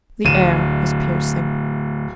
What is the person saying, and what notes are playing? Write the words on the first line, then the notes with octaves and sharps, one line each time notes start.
The air was piercing.
D1 D2 D#7 E7